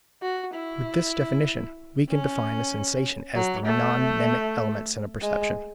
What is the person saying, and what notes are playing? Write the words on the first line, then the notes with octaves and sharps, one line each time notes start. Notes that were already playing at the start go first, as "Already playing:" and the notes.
With this definition, we can define a sensation as the non-mnemic elements in a perception.
F#4
E4
C#4
F#3
A3
G#3